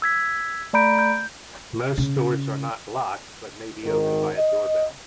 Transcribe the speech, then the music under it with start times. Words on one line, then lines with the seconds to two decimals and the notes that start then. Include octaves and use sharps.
Most doors are not locked but may be opened by a doorbell.
0.02 E6 G#6 B6
0.73 A3 D5 A#5 B5 G6 D7
0.99 G6
1.98 C#3
3.84 G#1 D#3 A#4
4.36 D#5